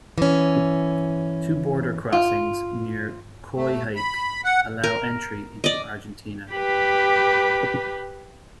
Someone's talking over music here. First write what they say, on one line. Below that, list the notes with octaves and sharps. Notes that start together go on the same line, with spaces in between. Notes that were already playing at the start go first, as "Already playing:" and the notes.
Two border crossings near Coyhaique allow entry into Argentina.
E3 C#4
F4
A3
B5
F#5
A#4
D5 D#5
G4 B4